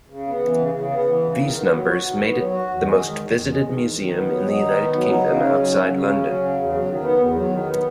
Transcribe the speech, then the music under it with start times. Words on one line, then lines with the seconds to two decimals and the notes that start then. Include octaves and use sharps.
These numbers made it the most visited museum in the United Kingdom outside London.
0.10 C#3
0.27 B3
0.42 E3
0.58 C#3
0.74 C#3
0.90 B3
1.07 E3
1.22 C#3
1.39 D#3
1.55 B3
1.70 F#3
1.88 F#4
2.04 D#3
2.19 B3
2.35 F#3
2.52 F#4
2.68 E2
2.83 G#3
3.00 D#3
3.16 E2
3.32 E2
3.48 G#3
3.64 D#3
3.80 E2
3.96 D#3
4.12 B3
4.28 F#3
4.45 D#4
4.61 D#3
4.77 B3
4.93 F#3
5.08 D#4
5.24 C#3
5.40 C#4
5.57 F#3
5.72 C#3
5.90 C#3
6.05 C#4
6.21 F#3
6.37 C#3
6.54 E2
6.69 F#3
6.86 D#3
7.01 B3
7.18 E2
7.34 F#3
7.49 D#3
7.66 B3